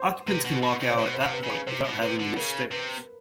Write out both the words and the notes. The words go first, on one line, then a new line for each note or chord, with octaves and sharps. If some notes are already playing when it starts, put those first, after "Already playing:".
Occupants can walk out at that point without having to use stairs.
Already playing: C5
C3 B4
B2
B2
C3
C#5
B2 C5
C5
C3
B4
C#3
B4
C3 C5
B2
C3 B4
D3
C#3 A#4
C3 B4